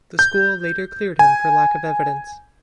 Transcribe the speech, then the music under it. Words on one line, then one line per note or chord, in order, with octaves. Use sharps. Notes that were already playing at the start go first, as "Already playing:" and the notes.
The school later cleared him for lack of evidence.
G6
G#5